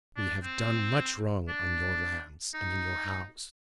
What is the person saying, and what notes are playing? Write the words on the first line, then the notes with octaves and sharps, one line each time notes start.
We have done much wrong on your lands and in your house.
D4
C4
D4
D#4